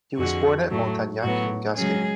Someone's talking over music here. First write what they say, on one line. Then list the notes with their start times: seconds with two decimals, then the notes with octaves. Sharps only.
He was born at Montagnac in Gascony.
0.17 F2 D3 G#3 F#4
0.70 A2 F#3 A3
1.23 A2 F#3 B3 F#4
1.76 C#3 F#3 G#3 C#4 G#4